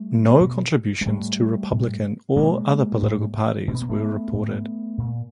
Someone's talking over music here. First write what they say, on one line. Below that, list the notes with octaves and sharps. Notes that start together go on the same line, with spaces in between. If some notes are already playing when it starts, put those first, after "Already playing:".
No contributions to Republican or other political parties were reported.
Already playing: G3 A3
B2
G#3
A2 G3 A3
A2
B2 G#3 A#3
A2
B2 C4
B3
A#3
A3 B3
A2
A#2